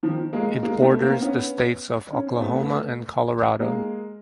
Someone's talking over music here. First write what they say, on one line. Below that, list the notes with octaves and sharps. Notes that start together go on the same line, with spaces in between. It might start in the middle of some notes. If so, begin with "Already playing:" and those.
It borders the states of Oklahoma and Colorado.
D#3 F3
G#3 A#3
G#3 A#3
A3 B3
A#3 C4
B3 C#4
C#4
C4
A3 B3
G#3 A#3